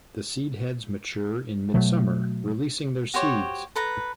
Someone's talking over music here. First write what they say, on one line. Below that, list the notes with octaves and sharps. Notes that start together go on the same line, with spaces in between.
The seed heads mature in mid-summer, releasing their seeds.
B2 F#3 A3
F#4 G4 C5 C#5
A4 B4 A#5